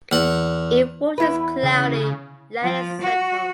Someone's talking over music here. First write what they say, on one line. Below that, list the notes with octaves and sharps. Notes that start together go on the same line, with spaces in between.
If water is cloudy, let it settle.
E2 F#5
E2 E4 B4
C#3
F3
F#4